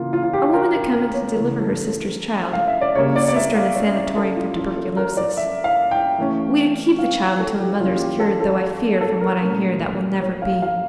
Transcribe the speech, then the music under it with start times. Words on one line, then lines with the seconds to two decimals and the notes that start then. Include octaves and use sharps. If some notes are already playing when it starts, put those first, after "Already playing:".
A woman had come to deliver her sister's child--sister in a sanatorium for tuberculosis; we to keep the child until the mother is cured, though I fear, from what I hear, that will never be.
Already playing: C#3 E3 A#3 F4
0.13 F4
0.23 F4
0.33 G4
0.53 A#4
0.74 A#4
0.93 A#4
1.13 C#5
1.34 C#3 E3 A3 A#4
1.61 A4
1.87 A4
2.53 F5
2.67 E5
2.81 D5
2.95 C#3 G3 A#3 C#4 C#5
3.16 D5
3.28 D5
3.36 E5
3.55 F5
3.76 D5
3.86 E5
3.96 D5
4.16 A4
4.36 F4
4.57 E3 A#3 C#4 F4
4.77 A4
4.97 A#4
5.17 D5
5.37 E5
5.64 F5
5.91 G5
6.18 E3 A3 C#4
6.99 F5
7.39 A4
7.60 G4
7.80 E3 G3 A#3 C#4 F4
8.00 G4
8.20 A4
8.40 A4
9.01 A4
9.20 A#4
9.41 A#2 A3 C#4 A#4
10.21 C#5
10.42 F5
10.62 F5